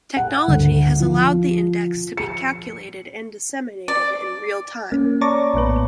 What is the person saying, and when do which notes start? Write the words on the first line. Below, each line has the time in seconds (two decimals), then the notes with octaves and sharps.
Technology has allowed the index to be calculated and disseminated in real time.
0.17 F#5
0.48 D2
1.00 F3
2.17 C#7
3.88 D5
4.92 A#3 C#4
5.21 C#5 D5 A5 A#5 C#6 D6
5.54 A#1 A2 B3 B4